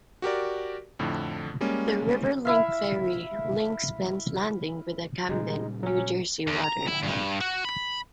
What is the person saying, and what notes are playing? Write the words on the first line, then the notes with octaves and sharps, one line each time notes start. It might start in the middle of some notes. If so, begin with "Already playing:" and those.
The RiverLink Ferry links Penn's Landing with the Camden, New Jersey waterfront.
F#4 G4 A#4 D5
F2 A2 D3
G3 G#3 A#3 C#4
E4 E5 F5
A#2 C#3 G3 G#3 D#4
F#3 C#4
E2
A#5
E4
G2
F#4
B5